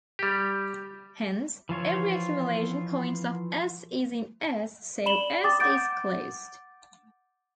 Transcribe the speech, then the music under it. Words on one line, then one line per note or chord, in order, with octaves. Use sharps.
Hence, every accumulation point of "S" is in "S", so "S" is closed.
G3 G4
E3 F3 F4 C#5
D5 B5 E7 F#7 G7
G5 D6 D#6 A6
F#5 D6 G6 A6 D7